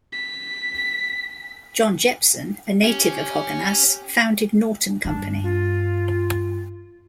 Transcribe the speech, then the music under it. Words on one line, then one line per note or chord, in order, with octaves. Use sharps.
John Jeppson, a native of Hoganas, founded Norton Company.
B6
C#4 G4
G2 D4
F4